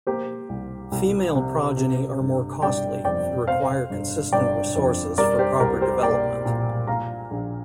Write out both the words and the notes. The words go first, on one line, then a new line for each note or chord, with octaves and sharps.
Female progeny are more costly and require consistent resources for proper development.
A#3 G4 C5
C2
C2
C3
C3
G1
G3 D5 G5
F2 D5 G5
C3 C5 F5
G1
G1 D5 G5
F2
G3 A#4 D5
G4 C5
C2 A#4
G4 C5
A#3 D5 G5
A#2
A#3 F5 A#5
A#1